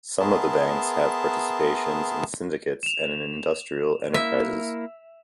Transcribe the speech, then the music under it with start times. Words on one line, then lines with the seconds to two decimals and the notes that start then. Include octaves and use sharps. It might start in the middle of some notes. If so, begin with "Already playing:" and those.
Some of the banks have participations in syndicates and in industrial enterprises.
0.20 B3 G#4 A#4 E5 A5 C6
2.83 E7 F7
4.14 A#3 E4 E5